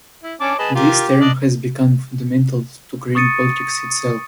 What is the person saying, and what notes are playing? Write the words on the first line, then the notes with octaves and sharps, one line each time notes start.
This term has become fundamental to green politics itself.
E4
C#4 C#5 A5 D6
G#4 B4 D#5 A5
F4 G4 A#4
D4 D5 D#5
C#6 D#6 A6 C#7 D#7